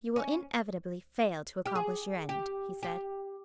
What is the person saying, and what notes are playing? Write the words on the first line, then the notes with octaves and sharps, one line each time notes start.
"You will inevitably fail to accomplish your end," he said.
C#4
G4
G#4
G4
G4